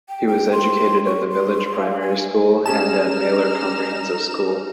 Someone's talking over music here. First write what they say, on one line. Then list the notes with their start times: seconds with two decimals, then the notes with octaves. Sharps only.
He was educated at the village primary school and at Maelor Comprehensive School.
0.09 G5
0.28 G5
0.52 C6
1.06 C#6
1.31 C6
1.80 F5
2.01 G#5
2.66 C#4 D#4 G4 G#4 A5 A#5 F6 E7